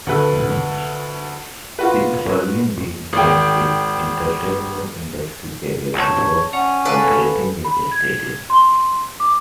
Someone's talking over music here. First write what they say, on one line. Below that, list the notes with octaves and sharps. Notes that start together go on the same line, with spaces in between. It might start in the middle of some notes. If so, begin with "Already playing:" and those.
Silberling began his entertainment industry career before completing his studies.
D2 A4 B4
F4 F#4 B4
G#1 G5
C#5 A5 G6
C#4 D5 F#5 F7
A4 B4 C#5 D5 F5 G#5
B5
G#6
C6
D6